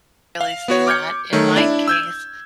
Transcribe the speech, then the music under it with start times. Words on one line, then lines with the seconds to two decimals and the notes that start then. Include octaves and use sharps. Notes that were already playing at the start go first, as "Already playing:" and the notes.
Really see that. In my case,
0.41 F5
0.68 B3 F#4 C#5
0.87 D6 F6 G6 G#6 C#7
1.33 D#3 A3 C#5
1.56 D4 E4
1.88 E6 G6 G#6